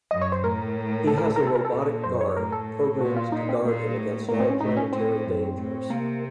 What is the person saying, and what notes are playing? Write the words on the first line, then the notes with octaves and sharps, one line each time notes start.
He has a robotic guard, programmed to guard him against all planetary dangers.
F#2 D#5
C#5
C5
A2 A#4
A4
A#4
A4
C3 A#4
A4
A#4
A4
A#2
F#2 C5
C#5
A2 A#4
A4
A#2 F#4
F4
A#2 D#4
C4
A#2 A#3
A2
A2 A#3
C4
C#4
A2 D#4
C#4
A2 C4
F#2
A2
C3 A#3